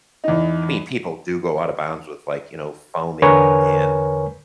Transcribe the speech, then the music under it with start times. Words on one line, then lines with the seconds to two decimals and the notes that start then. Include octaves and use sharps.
I mean, people do go out of bounds with, like, you know, foaming and,
0.24 E2 D#4
3.22 E2 D3 A#4 B4 C#5 G#5